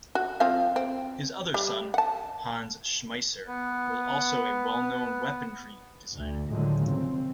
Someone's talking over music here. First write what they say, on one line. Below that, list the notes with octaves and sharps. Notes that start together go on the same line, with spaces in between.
His other son, Hans Schmeisser, was also a well-known weaponry designer.
F#4
F3 C4 F5
C4
G3
F#5 A5
B3 B4
D2
A2 D3 D#3 F3 F#3 G#3
C#3 C4